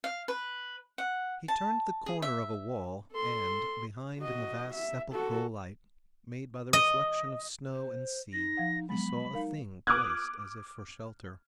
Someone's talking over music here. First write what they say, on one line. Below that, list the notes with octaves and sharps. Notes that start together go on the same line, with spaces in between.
He turned the corner of a wall, and, behind in the vast sepulchral light made by the reflection of snow and sea, he saw a thing placed as if for shelter.
F5
B4
F#5
A5
G#4
E5
A4 C6
F#4 D#5
E5
F#4 A4
D#5
C5
D#4 A#6
F3 F5 F#5
F#3 G#3 B3 B5
D#4 A#4 F5
D6 D#6 F6 F#6 G#6